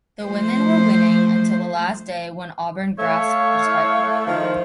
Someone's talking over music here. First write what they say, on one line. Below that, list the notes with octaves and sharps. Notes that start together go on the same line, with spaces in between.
The women were winning until the last day when Auburn grasped the title.
F3 A3 C5
A3 C#5 E5 F5
E4
D#3 F3